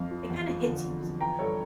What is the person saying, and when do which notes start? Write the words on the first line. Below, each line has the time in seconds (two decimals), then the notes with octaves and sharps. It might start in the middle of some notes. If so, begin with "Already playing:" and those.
it kinda hits you sometimes.
Already playing: F2 F5
0.11 F3
0.30 E2
0.48 F3
0.66 D3
0.85 E2
1.03 F3
1.20 E3 G5 A#5
1.39 G2 A4 C#5